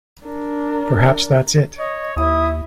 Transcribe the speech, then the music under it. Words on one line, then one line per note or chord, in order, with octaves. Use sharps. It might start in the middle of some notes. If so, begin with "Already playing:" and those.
Perhaps that's it.
D4 A#4
C#5 D#5
D#2 E4 D#6